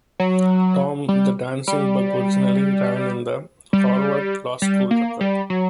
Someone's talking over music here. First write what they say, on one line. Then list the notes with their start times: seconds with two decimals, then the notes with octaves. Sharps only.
Tom the Dancing Bug originally ran in the "Harvard Law School Record".
0.20 F#3
1.09 G3
1.67 G3
3.73 G3
4.62 G3
4.91 A#3
5.21 G3
5.50 F#3